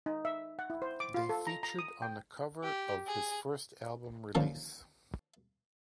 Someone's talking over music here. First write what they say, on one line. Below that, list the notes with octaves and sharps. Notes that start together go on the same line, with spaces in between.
They featured on the cover of his first album release.
D#4
E5
F#5
E4
C5
D6
F4
A4
A#5
A#5
D#6
G5
G4
G#4
D#2 D3 F3 C#4 A5